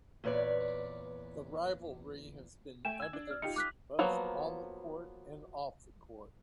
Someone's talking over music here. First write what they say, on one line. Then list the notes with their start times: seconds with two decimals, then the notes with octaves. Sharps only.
The rivalry has been evidenced both on the court and off the court.
0.24 E2 A#2 B4 C#5 D5
2.85 A3 G5 G#5 E7
3.00 E6 G#6
3.13 D4
3.27 D5 F6
3.42 D#4 F4 G4 C#7
3.56 D6 F#6 B6
3.99 F3 F#3 A#3 B3